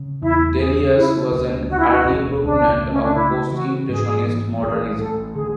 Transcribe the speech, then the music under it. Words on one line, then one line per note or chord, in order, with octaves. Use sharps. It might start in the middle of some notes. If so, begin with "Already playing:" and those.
Delius was an early proponent of post-impressionist modernism.
Already playing: C#3
E2 E4 E5
C#3 G#4
C#3 E4
D2
D2 F#4
E4
F#4
E1
C#2 D4
A3
C#4
D4
C#3 E4
E3 F#4
G#2 G#4
E3
A1 G#4
A1 A4
D3 G#4